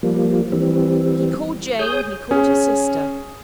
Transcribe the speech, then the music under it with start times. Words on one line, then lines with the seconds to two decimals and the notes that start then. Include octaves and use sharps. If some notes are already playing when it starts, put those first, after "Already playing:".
He called Jane; he called his sister.
0.03 F3 G3 A#3
0.52 E3 G3 C4
1.79 G#4 C#5 D#6 G6
2.31 C#4 G#4